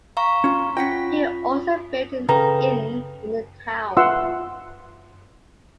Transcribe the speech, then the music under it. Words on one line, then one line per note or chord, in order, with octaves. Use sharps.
He also built an inn in the town.
F5 A#5 C#6
C#4 F4
C#4 F4 F#5 G5 B6
C#3 A4 B4 G5 A#5
F4 B4 E5 F#5 C6 E6